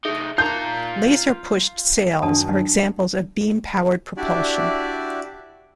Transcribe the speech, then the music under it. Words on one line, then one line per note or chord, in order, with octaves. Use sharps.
Laser-pushed sails are examples of beam-powered propulsion.
A3 D#4 G#4 E5
D#4 F4 A#4 A#5 G6
F#2 D#3 D4 A5 D#6
D4 E4 F#4 G4 D5 E5